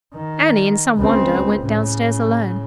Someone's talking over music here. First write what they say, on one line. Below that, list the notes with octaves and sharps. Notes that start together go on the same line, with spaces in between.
Annie, in some wonder, went downstairs alone.
D#3
C#2 C4
A2 C#3